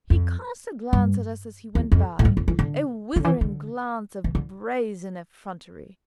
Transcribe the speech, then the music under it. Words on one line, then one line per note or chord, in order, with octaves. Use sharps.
He cast a glance at us as he went by, a withering glance of brazen effrontery.
F2
G2
E2
F2
A2
G2
F2
E3
D3
D3
E3
D3
E3
D3